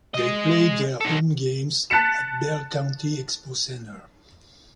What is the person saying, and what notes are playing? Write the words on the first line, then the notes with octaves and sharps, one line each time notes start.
They played their home games at Bell County Expo Center.
G#3 D#5
D#4 A4
A5 F#6 A6 B6 C#7 E7